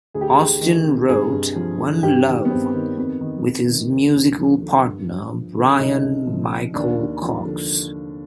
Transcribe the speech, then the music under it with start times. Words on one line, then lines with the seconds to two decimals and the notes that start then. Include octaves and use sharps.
Austin wrote "One Love" with his musical partner Bryan Michael-Cox.
0.14 D2 G#4
0.21 G4
0.29 G#4
0.37 D2
0.61 D#3
0.85 C3
1.09 G2 G#4
1.32 G2
1.56 F3
1.79 D3
2.03 G2 G4
2.27 D#3
2.45 B3
2.50 G2 C4
2.74 D#3
2.97 F2 B3
3.20 D#3
3.45 F2
3.68 D#3
3.92 D#2
4.15 D#2
4.38 F3
4.62 D3
4.86 G2
5.10 G2
5.33 F3
5.57 D3
5.80 C2 D#4
6.04 C2
6.27 F3
6.51 C3
6.74 D#2 D4
6.99 D#2
7.22 F3
7.45 D3